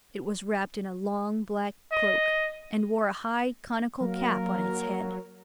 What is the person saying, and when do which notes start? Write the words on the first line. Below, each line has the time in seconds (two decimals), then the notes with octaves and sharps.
It was wrapped in a long black cloak, and wore a high conical cap on its head.
1.92 D#5
4.01 F#3 A#3 A#4